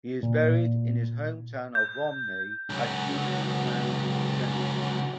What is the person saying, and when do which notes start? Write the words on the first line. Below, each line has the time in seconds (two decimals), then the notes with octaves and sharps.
He is buried in his home town of Romney at Indian Mound Cemetery.
0.23 A#2
1.75 G6
2.70 C#2 F#3